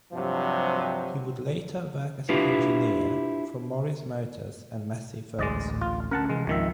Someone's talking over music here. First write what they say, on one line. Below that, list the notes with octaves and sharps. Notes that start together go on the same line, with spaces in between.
He would later work as an engineer for Morris Motors and Massey Ferguson.
G2 C3 F3 F#3
D4 E4 F4 G4 B4
A1 D2 G#3 D5 D#5
F4
D2 B3 C#4 A#4 F#5 A5
C3 E3 G#3
G#1 C#2 D#3 F3 E5